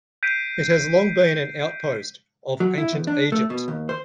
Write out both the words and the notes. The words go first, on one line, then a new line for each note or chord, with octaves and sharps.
It has long been an outpost of ancient Egypt.
G6 B6 C7 D7 D#7
F#3
E4
E2
D4
A3
B2
D#2
C5